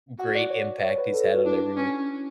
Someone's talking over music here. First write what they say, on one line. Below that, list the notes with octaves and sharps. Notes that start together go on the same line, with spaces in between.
great impact he's had on everyone.
F#4 F#5
D5
C#5
C#5
B4
A4
G4
F#4
D4 E4
C#4